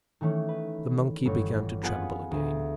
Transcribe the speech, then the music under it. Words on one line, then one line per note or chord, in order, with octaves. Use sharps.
The monkey began to tremble again.
D#3 E3 A3 C#4
B4
G1 C#5
B3 F4 G#4 B4 F#5 G#5
D2